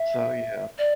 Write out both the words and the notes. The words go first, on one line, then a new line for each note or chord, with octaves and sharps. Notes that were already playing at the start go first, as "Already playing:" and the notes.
so, yeah.
Already playing: E5
D5